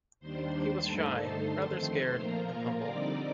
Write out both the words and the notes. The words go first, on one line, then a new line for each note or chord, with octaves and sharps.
He was shy, rather scared, and humble.
D#2 D#3 G3 D4 C5 C6
G2 D3 A3 D#4 A4 A5
C5 C6
F2 D#3 A3 C5 C6
A#2 F3 A#3 F4 A#4 A#5
D3 G3 C4 D#4 D5 D6